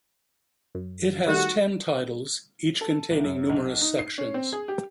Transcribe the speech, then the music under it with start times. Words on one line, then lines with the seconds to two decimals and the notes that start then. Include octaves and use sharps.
It has ten titles, each containing numerous sections.
0.75 F#2
1.27 D#3 G3 A3 F#4
2.81 A4
3.10 C2
3.24 F#2
3.50 B1
3.81 D#4
3.99 C7
4.18 C#4
4.34 C4
4.52 G#4
4.68 G4